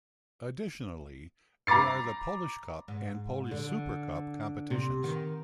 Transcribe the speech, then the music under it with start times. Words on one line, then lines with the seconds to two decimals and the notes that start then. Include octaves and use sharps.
Additionally, there are the Polish Cup and Polish Supercup competitions.
1.67 A#5 B5 D6 A6 C7
2.88 G#2
3.51 D3
4.70 C3
5.04 D#3